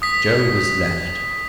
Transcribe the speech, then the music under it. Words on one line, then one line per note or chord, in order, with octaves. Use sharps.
Joe was left.
D#6 B6